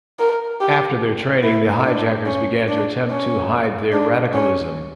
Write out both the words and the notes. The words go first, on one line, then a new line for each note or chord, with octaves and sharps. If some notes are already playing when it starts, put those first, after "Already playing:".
After their training, the hijackers began to attempt to hide their radicalism.
A#4
G4
E4
D4
C#4
D4
C#4
D4
C#4